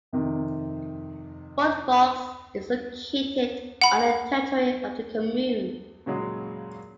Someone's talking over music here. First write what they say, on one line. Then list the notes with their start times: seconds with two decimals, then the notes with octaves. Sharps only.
Fort Vaux is located on the territory of the commune.
0.13 F2 C3 D#3
3.82 F#5 B5
6.06 A#2 C#3 F#3 G#3